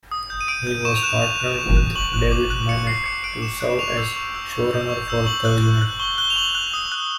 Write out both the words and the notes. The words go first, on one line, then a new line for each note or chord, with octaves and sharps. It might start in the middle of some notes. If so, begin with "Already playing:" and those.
He was partnered with David Mamet to serve as showrunner for "The Unit".
D#6
G6
D#7
D#6 D7
G6
C#6 E7
F7
F#6 E7
C#6 F7
F#6
C#6
F#6
C#6 F#7
F#6
D6
F#6
D6 C#7
F#6 C7
D6 C#7
F#6 D7
D6 E7
F#6
E7
C#6 F7
E6 G6
C#6
E6 G6
C#6
E6 G6
C#6
E6 G6
C#6 F#7
F#6
C#6
F#6
C#6 G7
F#6 G7
F7
C#6 F#7
F#6 F7
D#6
F#6